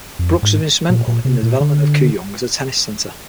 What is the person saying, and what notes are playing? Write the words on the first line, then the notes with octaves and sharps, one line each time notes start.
Brookes was instrumental in the development of Kooyong as a tennis centre.
F2
G#2
A#2
A#2
C3
A#2
D3